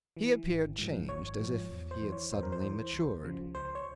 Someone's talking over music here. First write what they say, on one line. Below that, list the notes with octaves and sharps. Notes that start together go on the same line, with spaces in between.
He appeared changed, as if he had suddenly matured.
E3
G#1
G#2 F3
G#1 C#5
G#2 F3
E2
C5
E3
C#5
E2 C5
A#4
C5
E3
C#2
C#3 F3
C#2 C5
C#5